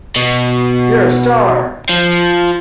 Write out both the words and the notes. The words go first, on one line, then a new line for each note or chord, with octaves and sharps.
You're a Star!.
B2
F3